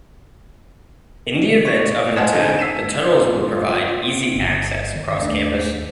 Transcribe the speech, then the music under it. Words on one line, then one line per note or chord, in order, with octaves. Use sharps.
In the event of an attack, the tunnels would provide easy access across campus.
C#5
C5 D#5 F5 F#5 G#5 A5
D3 C4 C#4 D#4
E6 B6 C7 D#7 E7
F4
G1
D#3
D#2 A3 C#4 D4